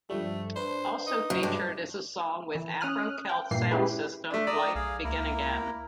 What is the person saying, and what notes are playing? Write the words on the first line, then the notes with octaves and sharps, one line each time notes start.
Also featured is a song with Afro Celt Sound System, "Life Begin Again".
G2 F3 G3 A3
D4 B4 C5
D#4
F#2
G2 G#3 G4
E3
C#4 D#6 F6 F#6
G5
G2 A#2 E3 A#3 C7
G#3 C#4 E4 G4 G#4 B4
A3 D4
D5 A#5 D#6 E6
B1 G#4 F5
C#2 A#3 E4 A#4